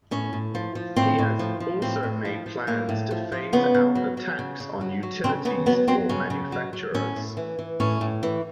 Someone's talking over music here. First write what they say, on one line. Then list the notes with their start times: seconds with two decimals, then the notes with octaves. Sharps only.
He has also made plans to phase out the tax on utilities for manufacturers.
0.11 A2 C#4
0.33 A2
0.55 F3
0.75 F3
0.96 A2 C4
1.18 A2
1.39 F3
1.60 F3
1.82 A2 C4
2.03 A2
2.25 F3
2.46 F3
2.67 A2 A#3
2.89 A2
3.11 F3
3.32 F3
3.53 C#3 B3
3.74 C#3
3.95 F#3
4.17 F#3
4.39 C#3
4.60 C#3
4.81 F#3
5.03 F#3
5.24 C#3 C4
5.45 C#3 B3
5.66 F#3 B3
5.88 F#3 C4
6.09 C#3 C#4
6.30 C#3
6.52 F#3
6.73 F#3
6.94 A2 C#4
7.16 A2
7.37 E3
7.59 E3
7.80 A2 C#4
8.01 A2
8.23 E3